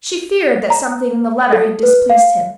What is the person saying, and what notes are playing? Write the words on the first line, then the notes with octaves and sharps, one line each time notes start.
She feared that something in the letter had displeased him.
A#5
A4
B4
F5